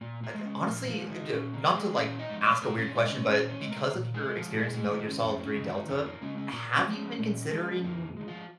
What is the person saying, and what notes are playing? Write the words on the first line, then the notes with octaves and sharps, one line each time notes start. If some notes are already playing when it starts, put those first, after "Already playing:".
Uh, d Honestly, uh, d not to, like, ask a weird question, but because of your experience in Metal Gear Solid Three Delta, have you been considering,
A#2 A#3
A#3
G#3
C#4
A#2 F3 F4
F3 F4
G#3
D#3 D#4
A#2 C#4
A#3
G#3
F3
G#3 G#4
A#2 C#4 C#5
D#4 D#5
F3 G#3
D#5
C#5
A#2 A#3 A#4
C#4 C#5
G#3 D#4 D#5
C#4 C#5
A#2 C#4 C#5
C#4 C#5
G#3
A#3 A#4
A#2
G#3 G#4
G#3
F3 F4
A#2 G#3 G#4
G#3 G#4
D#3 G#3 D#4
C#4
F2 C#4
A#3
C#4
C#3 G#3
D#3 D#4
F2 C#4
A#3
C#3 G#3 C#4
C#4
A#2 A#3
C#4
F3 G#3
C#4
A#2
F3 G#3
F2 A#3
D#3 G#3
F3 F4